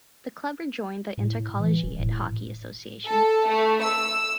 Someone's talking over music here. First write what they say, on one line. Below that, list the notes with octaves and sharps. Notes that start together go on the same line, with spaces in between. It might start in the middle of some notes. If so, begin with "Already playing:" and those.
The club rejoined the Intercollegiate Hockey Association.
A2
E3
E1
A2
A4
A3
E6